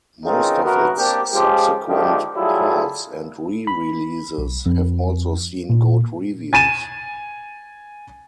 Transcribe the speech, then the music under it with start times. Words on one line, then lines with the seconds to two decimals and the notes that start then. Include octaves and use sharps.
Most of its subsequent ports and re-releases have also seen good reviews.
0.24 C#3 E3 C4 D#4 F4 A#4
0.63 F#2 B2 A3 B3 F#4 A#4
0.97 A#3 C4 D4 G4
1.33 F3 G#3 C#4 F4 G4
1.88 G#2 D3 D#3 F3 E4 G4
2.35 F#3 G3 A3 E4 F4 G#4
3.67 B5
4.38 B1
4.66 F2
5.69 A#2
6.53 G#5 A6 D#7 E7